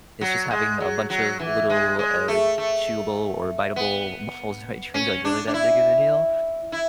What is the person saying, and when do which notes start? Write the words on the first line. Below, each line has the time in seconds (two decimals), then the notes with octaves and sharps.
it's just having a bunch of little, uh, chewable or biteable balls in my drink, like, really that big of a deal?
0.21 F#3
0.51 G#3
0.80 F#3
1.10 F#3
1.40 E3
1.70 G#3
1.99 G#3
2.28 A3
2.58 A3
3.76 B3
4.94 C#4
5.25 D4
5.47 D4
5.54 E4
6.72 E4